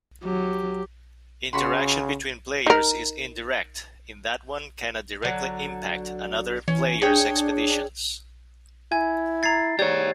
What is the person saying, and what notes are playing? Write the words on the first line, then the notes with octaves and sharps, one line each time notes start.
Interaction between players is indirect, in that one cannot directly impact another player's expeditions.
F#3 G4
C#3 F#4 B5 C6
D#4 A#4
D3 F#3
E3 C#4
D4 G#4 C#5 G5
E4 G#5 G#6
A#5 G#6 A6 C7
G#2 G4 C#5 D5 G#6